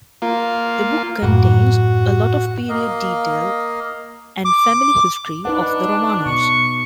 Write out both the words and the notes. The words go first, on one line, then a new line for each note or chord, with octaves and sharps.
The book contains a lot of period detail and family history of the Romanovs.
A#3 F4
F#2 A2 F#4
A#3 D#5 F5
D6
D4 D#4 B4 F#5
B2 C#6